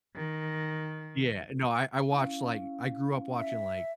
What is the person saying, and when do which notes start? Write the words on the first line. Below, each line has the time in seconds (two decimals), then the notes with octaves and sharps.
Yeah, eh, no, I I watched, like I grew up watching, like,
0.16 D#3
2.10 C#4 E4 F5
3.39 E5